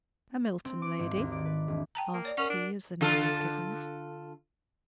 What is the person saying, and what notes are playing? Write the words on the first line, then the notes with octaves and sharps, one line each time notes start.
'A Milton lady?' asked he, as the name was given.
C4
D6
G#1
D#2
D5
B4
E1
G5 A5 A#5
A#3
C#5 D5
C#4 A#4 F#5
D4
D3 F4 A4